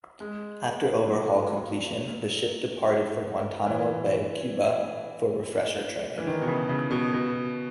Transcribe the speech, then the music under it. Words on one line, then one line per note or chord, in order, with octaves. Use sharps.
After overhaul completion the ship departed for Guantanamo Bay, Cuba for refresher training.
G#3
F#3
E3
E3
D#3
B2
C#3
C#3
B2
B2